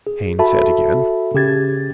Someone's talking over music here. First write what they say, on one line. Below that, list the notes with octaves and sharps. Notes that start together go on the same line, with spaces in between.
Haines said again.
G#4
F#4 A4 E5 A5 B5
C#3 G4 G#6 A6